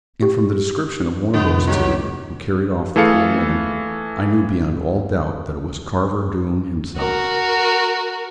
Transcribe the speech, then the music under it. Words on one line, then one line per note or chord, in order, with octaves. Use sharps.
And from the description of one of those two, who carried off the poor woman, I knew beyond all doubt that it was Carver Doone himself.
G4
C2 F2 A2 D3 B3
A#2 F#3 G4
E3 A3 G#4 A4 F5 C#7
F#4 A#4